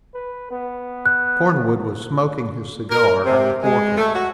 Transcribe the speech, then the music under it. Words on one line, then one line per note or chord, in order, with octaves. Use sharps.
Cornwood was smoking his cigar on the forecastle.
B4
B3
F#6
A#4
C3
G#3
A3
F#4